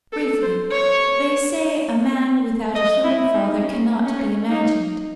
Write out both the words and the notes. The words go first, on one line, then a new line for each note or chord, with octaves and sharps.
Briefly, they say a man without a human father cannot be imagined.
A4
C5
C#5
D#5
E4
D#4
C#4
C#4
D#4